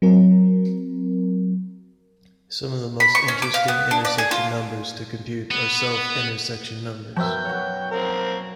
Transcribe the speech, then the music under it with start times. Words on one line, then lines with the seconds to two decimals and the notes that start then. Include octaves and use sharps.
Some of the most interesting intersection numbers to compute are "self-intersection numbers".
0.02 F#3 C4 A#4
3.00 B5
3.15 C#6
3.28 C#4
3.42 D6
3.54 F5
3.68 B3
3.91 D4
4.05 D5
4.18 G#4
4.31 F4
5.51 B3
7.17 F#2 B2 F3 E5 G5
7.45 F#4 C#5
7.91 A#3 C4 A#4